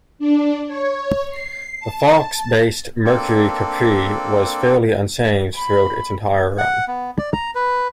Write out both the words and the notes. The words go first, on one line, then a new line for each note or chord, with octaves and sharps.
The Fox-based Mercury Capri was fairly unchanged throughout its entire run.
D4
C#5
C7
A5
A#3 C4 D4 A4
B5
F#5
B3
D5
A#5
B4